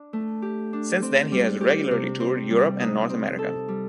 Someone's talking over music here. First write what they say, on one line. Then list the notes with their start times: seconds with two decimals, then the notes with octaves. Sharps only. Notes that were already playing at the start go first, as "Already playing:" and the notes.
Since then he has regularly toured Europe and North America.
Already playing: D4
0.13 A3
0.42 G4
0.73 D4
1.02 C4
1.32 G3
1.61 G4
1.91 C3
2.20 C4
2.50 G3
2.80 D#4
3.10 C4
3.39 A4
3.68 G3